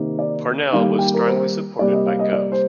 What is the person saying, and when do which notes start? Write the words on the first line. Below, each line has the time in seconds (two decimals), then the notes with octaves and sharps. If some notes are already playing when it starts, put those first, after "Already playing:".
Parnell was strongly supported by Gov.
Already playing: C3 D#3 A#3
0.19 D5
0.73 D#3 G3 A#3 F5
0.99 G5
1.14 A#4
1.26 C5
1.79 C3 G3 A#3 D5
1.93 D#5
2.06 F5
2.19 D#5
2.33 D5
2.52 C5